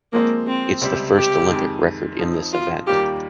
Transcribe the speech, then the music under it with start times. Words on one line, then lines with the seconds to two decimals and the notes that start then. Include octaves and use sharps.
It’s the first Olympic record in this event.
0.12 F3 G#3 A#3 C4
0.48 C4
0.81 C#2 C3 G3 C4 G4
1.16 G4
1.50 F2 D#3 G#3
2.19 F3 C4 D#4
2.53 F4
2.87 D#2 D#3 G3 A#3 F4 G4